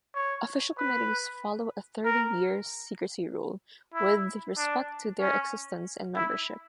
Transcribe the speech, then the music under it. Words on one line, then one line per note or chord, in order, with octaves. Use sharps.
Official committees follow a thirty-year secrecy rule with respect to their existence and membership.
C#5
B4
A#4
E4
D4
C#4
E4